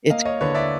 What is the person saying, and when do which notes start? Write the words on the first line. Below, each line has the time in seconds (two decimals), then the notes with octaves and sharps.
It's great.
0.10 A#3 D#5 F5
0.25 C#5 D#5
0.41 D3 B4 C#5
0.55 D5 E5